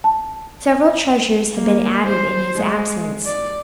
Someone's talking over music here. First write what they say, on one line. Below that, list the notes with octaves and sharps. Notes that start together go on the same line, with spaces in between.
Several treasures had been added in his absence.
A5
A#3
C5
G#3
D5